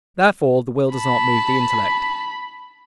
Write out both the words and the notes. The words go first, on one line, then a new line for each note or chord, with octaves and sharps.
Therefore the will does not move the intellect.
A5 B5